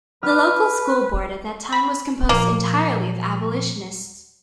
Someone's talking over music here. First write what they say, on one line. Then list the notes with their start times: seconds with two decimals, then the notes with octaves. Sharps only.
The local school board at that time was composed entirely of abolitionists.
0.23 B4 F6
1.72 B5
2.29 A#2 F3 A#3